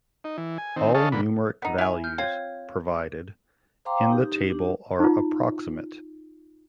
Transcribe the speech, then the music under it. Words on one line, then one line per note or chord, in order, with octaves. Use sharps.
All numeric values provided in the table are approximate.
D#4
E3
G#5
D#3 C4
G#4 A4 C#5 D#5 F5 A5
A#2 D3 B5
B3 D#4
E4 G#5 F7
F6 G6
C4 F4 C#5 G#6
C5 F5 G5 A#5 C6 D6
D#4 G4
D4 G4
D#4 F4